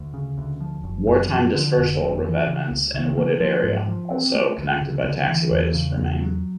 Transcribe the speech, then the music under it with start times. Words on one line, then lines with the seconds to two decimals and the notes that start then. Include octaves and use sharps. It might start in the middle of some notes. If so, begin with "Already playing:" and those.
Wartime dispersal revetments in a wooded area, also connected by taxiways, remain.
Already playing: D2
0.14 C#3
0.38 D2
0.60 F3
0.84 F#1
1.07 F#2
1.31 F3
1.55 D3
1.77 F1
2.01 F2
2.24 E3
2.47 C#3
2.71 C#2
2.94 C#3
3.17 A#3
3.40 F3
3.64 G#2
3.88 F3
4.10 C4
4.35 A3
4.58 D2
4.81 C#3
5.04 D2
5.27 E3
5.51 E2
5.75 C#3
5.98 E2
6.21 F#3